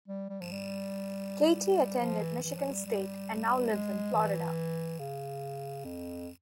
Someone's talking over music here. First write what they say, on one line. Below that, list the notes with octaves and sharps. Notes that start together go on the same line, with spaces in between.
Katie attended Michigan State and now lives in Florida.
G3
G3
F3
G3
F3
E3
E3
F3
G3
G3
G#3
E3
C#3
F2